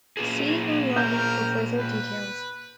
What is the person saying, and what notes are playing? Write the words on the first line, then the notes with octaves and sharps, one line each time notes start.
See Vanlandi for further details.
A#2 F4 G#4
A#4 G6
B4